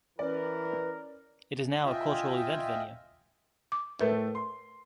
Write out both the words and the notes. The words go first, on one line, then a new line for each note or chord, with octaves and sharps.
It is now a cultural event venue.
E3 C#4 A#4 B4 D5
F4 D#5 E5 G5 G#5
D6
A2 A3 A#4 B4 E5
C6